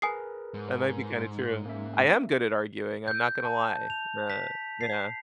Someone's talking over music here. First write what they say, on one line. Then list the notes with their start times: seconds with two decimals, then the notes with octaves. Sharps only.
that might be kinda true; I am good at arguing, I'm not gonna lie, eh yeah.
0.02 G#4 A#4 B4 G#5 D#6 C7
0.54 G#2
1.66 A#3 C#4 E5
3.08 G6
3.45 A5
3.90 F7
4.30 B6
4.81 C7